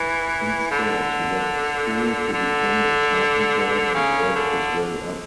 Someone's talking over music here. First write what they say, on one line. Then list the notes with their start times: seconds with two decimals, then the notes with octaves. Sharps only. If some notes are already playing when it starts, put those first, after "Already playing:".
Instead he left school to become a carpenter and worked his way up.
Already playing: E3
0.71 D3
2.33 D3
3.94 C#3
4.35 D3